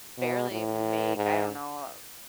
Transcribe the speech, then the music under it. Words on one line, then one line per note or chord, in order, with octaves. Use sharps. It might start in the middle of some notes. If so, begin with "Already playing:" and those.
barely make, I don't know,
B2
A2
G#2